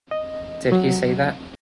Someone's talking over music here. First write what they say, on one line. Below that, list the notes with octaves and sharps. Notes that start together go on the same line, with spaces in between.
Did he say that?
D#5
F#3